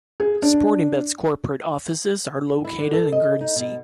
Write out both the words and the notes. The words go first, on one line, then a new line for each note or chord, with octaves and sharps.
Sportingbet's corporate offices are located in Guernsey.
G#4
D4
E4
D3
A4
D#5
D#4
B2